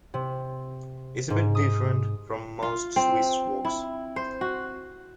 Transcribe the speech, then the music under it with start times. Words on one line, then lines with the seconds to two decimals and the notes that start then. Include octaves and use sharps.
It's a bit different from most Swiss works.
0.14 C3
1.30 G#2
1.55 D#6
2.63 F4
2.96 C4
3.65 E4
4.16 C5
4.41 F#4